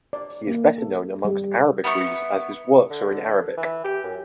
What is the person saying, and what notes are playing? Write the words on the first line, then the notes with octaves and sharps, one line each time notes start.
He is better known amongst Arabic readers as his works are in Arabic.
D5
A#3
A4
G3
B3 E4 F#5 C#6
D3
E3
G4
F#2